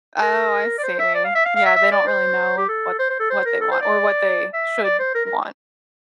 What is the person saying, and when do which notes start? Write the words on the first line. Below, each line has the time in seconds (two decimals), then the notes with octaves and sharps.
Oh, I see. Yeah, they don't really know what what they want or what they should want.
0.22 A#4
0.78 D5
0.83 C5
0.99 E5
1.14 D5
1.25 F5
1.35 E5
1.45 F5
1.56 F5
1.65 E5
1.76 E5
1.91 D5
2.07 C5
2.57 G4
2.68 A4
2.99 C5
3.10 C5
3.20 A4
3.30 C5
3.45 A#4
3.61 A4
3.71 C5
3.81 D5
4.53 E5
4.84 D5
4.99 C5
5.15 A#4
5.25 A#4